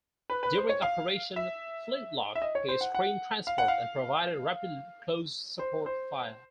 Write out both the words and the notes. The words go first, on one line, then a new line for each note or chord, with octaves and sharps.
During Operation "Flintlock", she screened transports and provided rapid close support fire.
B4
B4
C5
C#5
F5
E5
E5
D#5
C#5
C5
F#5
F#5
F5
F#5
F5
C5
C5